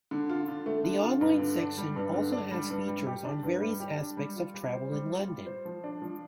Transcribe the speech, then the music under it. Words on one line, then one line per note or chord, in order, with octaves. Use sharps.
The online section also has features on various aspects of travel in London.
D3
F4
D3
A3
D3
F4
G2
D3
D4
G3
G2
D3
D4
G3
G2
G3
G4
D4
G2
G3
G4
D4
G3
F4
G3
C5
G3
F4
G3
C5
F3
D4
F3